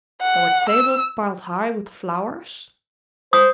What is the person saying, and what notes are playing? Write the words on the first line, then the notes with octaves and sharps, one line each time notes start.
There were tables piled high with flowers.
F#5
E6
C5 D#6